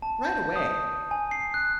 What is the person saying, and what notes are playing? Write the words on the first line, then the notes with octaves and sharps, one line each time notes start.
"Right away."
A5
G6
D#6
G#5
C7
F#6